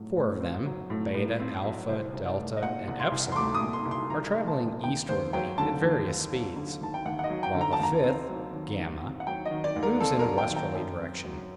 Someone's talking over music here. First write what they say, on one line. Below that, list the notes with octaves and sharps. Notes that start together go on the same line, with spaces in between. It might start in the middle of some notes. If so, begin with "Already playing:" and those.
Four of them, Beta, Alpha, Delta, and Epsilon are traveling eastwardly at various speeds, while the fifth, Gamma, moves in a westerly direction.
Already playing: A2 F#3
A2
C4
F#3
A2
A2
C4
F#3
C2 C5
C2
D5
A3
D#5
A#2 F#5
C2
C6
C2
C6
A3 D6
D#6
A#2
C6
C2
C6
C2 A#5
A3
A5
A#2
D#2 G5
D#2 C5
F#3 G5
D3 A5
D#2
D#2
F#3
D3
D#2 A5
G5
D#2 F#5
F#5
D#5
F#3
G5
D3
A#5
A5
D#2 A#5
C4
F#3
D#3
D#2
C4
F#5
F#3 G5
D#5
D#3
D5
D#2
A#4
C4 A4
A#4
F#3
G5
D#3
G5
F#2
C4
F#3